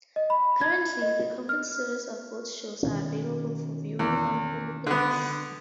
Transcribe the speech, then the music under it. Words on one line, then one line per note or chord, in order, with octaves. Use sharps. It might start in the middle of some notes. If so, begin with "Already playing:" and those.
Currently, the Complete Series of both shows are available for viewing on Hulu Plus.
D#5
B5
G#6
D#5
F6
B2 D#3 C#4
E2
D3 B3